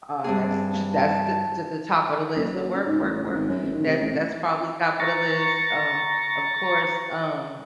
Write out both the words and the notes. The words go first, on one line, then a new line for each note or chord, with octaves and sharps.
uh, that's that's the the top of the list, the “work, work, work,” that's that's probably top of the list, um, of course, um,
G2 C4 G#4 A5
A5
F#1
F#3
C#3
G#2
A1
C#2
G#1
F#2
A1
D#3
C3
A1
A#5 C#6 A6